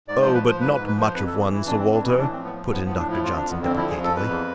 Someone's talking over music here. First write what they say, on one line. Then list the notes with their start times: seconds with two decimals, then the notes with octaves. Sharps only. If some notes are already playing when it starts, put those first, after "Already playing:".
"Oh, but not much of one, Sir Walter," put in Doctor Johnson, deprecatingly.
0.08 G#2 D5
0.22 F3 C5
0.34 B4
0.43 F3 C5
0.61 G#2 B4
0.74 G#2 B4
0.87 B4
0.95 F3
1.01 C5
1.14 F2 B4
1.27 A4
1.31 E3
1.40 G#4
1.49 E3 E4
1.66 F2 D4
1.79 C4
1.84 F2
1.92 D4
2.02 E3 E4
2.18 A2 D4
2.32 C4
2.37 F3
2.45 B3
2.54 F3
2.71 A2 B3
2.85 A2 B3
2.98 D4
3.07 F3 E4
3.24 F2 F4
3.37 D4
3.42 F2
3.50 B3
3.59 D3 C4
3.77 F3 E4
3.90 F2 G#4
4.04 A4
4.13 F2 B4
4.29 E2